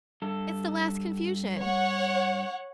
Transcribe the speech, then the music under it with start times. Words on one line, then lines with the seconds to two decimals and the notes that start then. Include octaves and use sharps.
It's the last confusion.
0.22 G2 A4
1.58 C#5 F#5